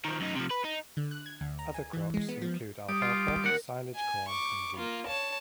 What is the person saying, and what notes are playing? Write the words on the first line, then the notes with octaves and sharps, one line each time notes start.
Other crops include Alfalfa, silage corn, and wheat.
D#3 F3
F#2 D#4
C3 F3
B4
D#4
D3
F#6
G#6
D2
A#5
G#5
E3
G#3
B3
F3
G3 D6 D#6
F4
D#2 A#4 F#5
G#5
C#6 D6
A#3 F4
C#5 A5